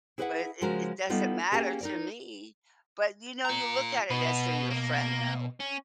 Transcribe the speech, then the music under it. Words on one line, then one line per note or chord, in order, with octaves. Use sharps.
but it it it doesn't matter to me." But, you know, you look at it as to your friend though,
E4 G#4 B4 D5 E5 F#5
C#3 F3 G#3 C#4 F#4 A#4
G3 B3 D4 D#4 F4 A4
A#3 C#4 G4 G#4 A#4
D#4 A#4 D5
F4 A#5
B2 F#4 B4
A#3
C#4